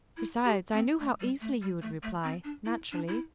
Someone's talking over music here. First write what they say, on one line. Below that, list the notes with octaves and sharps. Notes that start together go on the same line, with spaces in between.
Besides, I knew how easily you would reply--naturally.
E4
G4
C4
A3
G3
A3
G3
A3
A3
C4
D4
E4
D4
E4